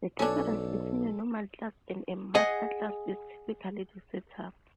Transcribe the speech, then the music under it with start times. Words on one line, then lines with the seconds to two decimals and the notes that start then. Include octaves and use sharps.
The difference between a normal class and a master class is typically the setup.
0.19 B1 C#4 D4 A4 C#5
2.35 G#4 D#5 F#5 G#5